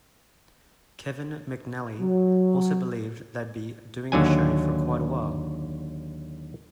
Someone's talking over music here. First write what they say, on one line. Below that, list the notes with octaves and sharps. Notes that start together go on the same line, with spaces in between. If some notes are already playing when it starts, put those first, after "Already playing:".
Kevin McNally also believed they'd be doing the show for quite a while.
F#3
D#2 D3 F#3 G#5